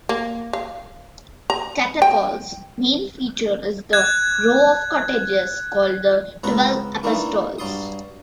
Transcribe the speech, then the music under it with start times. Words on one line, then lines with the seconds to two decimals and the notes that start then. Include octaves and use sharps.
Catacol's main feature is the row of cottages called the 'Twelve Apostles'.
0.09 A#3
0.53 F5
1.50 A#5
2.02 G5
3.93 F#6 G#6
6.44 C#2 B3 C4 F#5 A#5
7.03 E3 A3 A#3 D4 D#4
7.59 G2 F#3 D5 C6 D#6